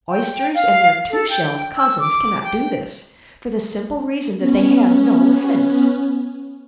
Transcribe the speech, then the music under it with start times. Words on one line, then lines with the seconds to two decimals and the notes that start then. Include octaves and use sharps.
Oysters and their two-shelled cousins cannot do this, for the simple reason that they have no heads!
0.07 G5
0.54 F5
1.10 A4
1.28 G5
1.77 E6
2.00 D6
2.43 G5
4.37 B3 C#4